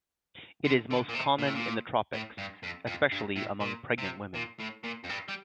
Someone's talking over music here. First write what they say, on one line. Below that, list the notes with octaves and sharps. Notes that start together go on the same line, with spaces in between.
It is most common in the tropics, especially among pregnant women.
D3
D3
A#2
C3
A#2
A2
A#2
A2
G2
F2
F2
G2
A2
A#2
C3
A#2
A2
A#2
F2
G2
G3